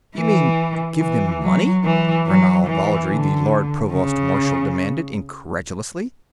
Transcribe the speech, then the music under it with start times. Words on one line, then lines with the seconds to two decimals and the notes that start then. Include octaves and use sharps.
"You mean, give them money?" Ranal Valdry, the Lord Provost-Marshal demanded, incredulously.
0.17 E3
1.01 E3
1.43 F#3
1.84 E3
2.27 F#3
2.68 E3
3.10 D3
3.93 C#3